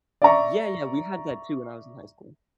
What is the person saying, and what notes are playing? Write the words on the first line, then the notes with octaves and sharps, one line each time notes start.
Yeah, yeah, we had that too when I was in high school.
D5 E5 A#5 C#6